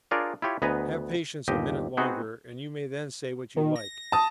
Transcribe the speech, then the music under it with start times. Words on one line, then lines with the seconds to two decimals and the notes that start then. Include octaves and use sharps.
Have patience a minute longer; and you may then say what you like.
0.11 D4 F4 G#4 A#4 C#5 D5
0.42 E4 F4 G4 C#5
0.62 D2 B3 B4 D#5 G#5 A#5
1.48 G1 D#2 G4 D#5
1.97 B3 C4 D#4 F#4 G#4
3.57 D#3
3.76 A#6
4.12 A5 D#6